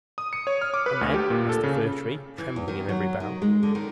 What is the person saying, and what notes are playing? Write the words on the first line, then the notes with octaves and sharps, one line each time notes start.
"And then?" asked the Fir Tree, trembling in every bough.
D#6
C#7
C#5
F6
D6
B4
D2
G4
A#2
A4
C#3
E3
E2
D#3
F#3
D#3
G#3
D3
D#3